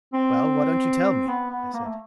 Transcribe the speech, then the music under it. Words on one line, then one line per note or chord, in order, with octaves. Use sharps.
"Well, why don't you tell me?" I said.
C4
B3
B3
A#3
A3